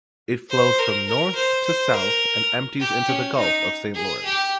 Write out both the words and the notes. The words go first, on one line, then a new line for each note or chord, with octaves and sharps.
It flows from north to south and empties into the Gulf of Saint Lawrence.
C5
A#4
A#4
C5
C5
A#4
G4
C#4
D#4
G#4
G4